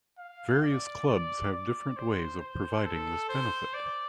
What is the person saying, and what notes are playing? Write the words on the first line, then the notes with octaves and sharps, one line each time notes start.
Various clubs have different ways of providing this benefit.
F5
D5
D5
D5
C5
C5
A4
C5
D5